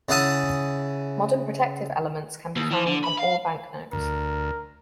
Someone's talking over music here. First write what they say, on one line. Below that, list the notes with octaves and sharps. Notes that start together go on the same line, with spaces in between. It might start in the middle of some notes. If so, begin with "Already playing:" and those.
Modern protective elements can be found on all banknotes.
C#3 E4 G#4 F#5 A5 D#6
D#2
E3
D3
B5
F5
D2 A#4